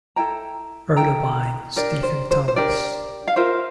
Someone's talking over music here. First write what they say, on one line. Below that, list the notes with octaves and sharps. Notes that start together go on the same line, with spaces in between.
Erlewine, Stephen Thomas.
E4 A4 G5 A#5
E4 A4 G5 A#5
D4 G4 A#4 D5
C5
C5
C5
D4 G4 A#4 D5
F5
F4 A#4 C5 E5